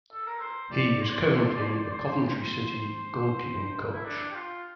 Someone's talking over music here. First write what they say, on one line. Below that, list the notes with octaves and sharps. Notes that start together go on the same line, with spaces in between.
He is currently a Coventry City Goalkeeping coach.
A4
A#4
C5
D5
C5
D5
C5
D5
C5
D5
C5
D5
C5
D5
C5
D5
C5
D5
C5
C5
E4
D4
G4
F4